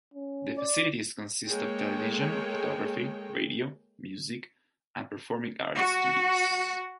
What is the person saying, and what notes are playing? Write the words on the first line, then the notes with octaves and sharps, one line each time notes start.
The facilities consist of television, photography, radio, music and performing arts studios.
C#4
D5
G#3 A#3 G#4 A4 C#5 G5
F#4